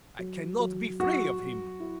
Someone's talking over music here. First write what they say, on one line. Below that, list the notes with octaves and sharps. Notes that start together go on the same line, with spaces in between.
I can not be free of him.
F#3
F#3
F#3 F#4
F#3
E4